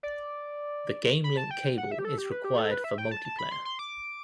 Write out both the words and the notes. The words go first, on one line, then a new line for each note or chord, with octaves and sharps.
The Game Link Cable is required for multiplayer.
D5
B5
A5
G5
F#5
E5
G4
A4
G4
B4
G4
A4
B4
E5
G5
A5
A5
B5
C6
C6
D6